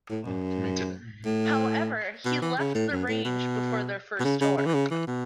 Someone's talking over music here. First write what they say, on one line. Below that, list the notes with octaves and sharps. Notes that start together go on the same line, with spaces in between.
However he left the Range before their first tour.
A2
F#2
A2
B2
E3
C#3
A2
F#2
A2
B2
B2
C#3
C#3
C#3
E3
C#3
E3
B2